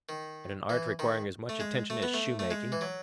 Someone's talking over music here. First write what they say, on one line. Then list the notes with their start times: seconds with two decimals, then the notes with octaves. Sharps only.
And an art requiring as much attention as shoemaking?
0.09 D#3
0.69 E3
0.99 D#3
1.49 A3
1.60 G#3
1.90 A3
2.03 B3
2.14 A3
2.39 A3
2.51 G#3
2.72 E3
2.81 F#3